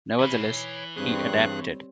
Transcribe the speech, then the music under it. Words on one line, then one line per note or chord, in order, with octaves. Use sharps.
Nevertheless, he adapted.
E3 C#5 B5
G2 G3 C4 G#4 C#5 F#6